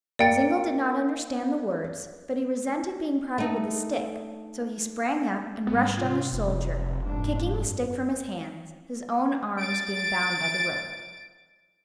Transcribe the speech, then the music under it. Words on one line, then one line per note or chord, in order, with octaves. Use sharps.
Zingle did not understand the words, but he resented being prodded with the stick, so he sprang up and rushed on the soldier, kicking the stick from his hands, his own arms being bound by the rope.
A#3 D5 G5 A6 C#7
A3 D#4
G#1 G3 B3
C3 F4
F1
G#2 D4
F#2
A6 D7